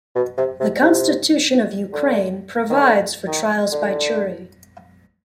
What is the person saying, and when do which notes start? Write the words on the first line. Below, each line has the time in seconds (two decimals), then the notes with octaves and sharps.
The Constitution of Ukraine provides for trials by jury.
0.15 B2
0.38 C3
0.60 C3
0.82 C3
1.93 D3
2.70 D#3
2.82 D3
3.27 D#3
3.72 D3